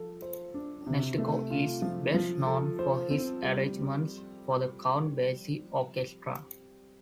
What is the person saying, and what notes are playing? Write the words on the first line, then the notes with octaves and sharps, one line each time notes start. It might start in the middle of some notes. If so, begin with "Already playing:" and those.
Nestico is best known for his arrangements for the Count Basie orchestra.
Already playing: F3 A4
C5
D4
C3
A3
F4
F3
F3
A4
C5
C4
G3